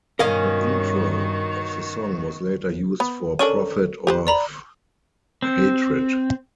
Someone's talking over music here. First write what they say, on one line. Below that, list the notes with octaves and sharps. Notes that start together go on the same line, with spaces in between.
The intro of the song was later used for "Prophet of Hatred".
G2 B2 D#3 C#4 F#4 A#4 D#5 F5
B3
C#4 D4 A4 A#4 C#6 D#7
G4 B4 C5
D5 A#5 B5
C4